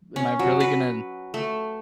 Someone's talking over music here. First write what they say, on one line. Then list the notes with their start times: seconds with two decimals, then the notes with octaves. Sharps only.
am I really gonna
0.16 C#4
0.39 F#3
0.60 B4
1.34 A3